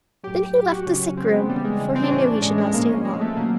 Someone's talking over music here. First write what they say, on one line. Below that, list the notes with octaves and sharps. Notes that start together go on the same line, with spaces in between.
Then he left the sick room, for he knew he should not stay long.
A2 F#3 G4
A2 F#3 G4
F#4
C#3 F#3 C#4
C#4
C#3 F#3 C4
B3
C#3 E3 G3
G#3
C#3 E3 G#3
C4
D4
A2 E3 C#4
D4
A2 E3 G#3
G#3
A#2 F3 A#3
C#4
A#2 F3 G#3
A3
C3 D#3 F#3 A#3